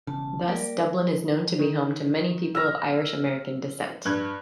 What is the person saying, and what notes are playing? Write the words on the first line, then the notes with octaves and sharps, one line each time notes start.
Thus Dublin is known to be home to many people of Irish American descent.
E1 E2 C#3 A5
G3 A#3 A#4 D5
D#3
E6 F6 A#6
G2 F#6 G#6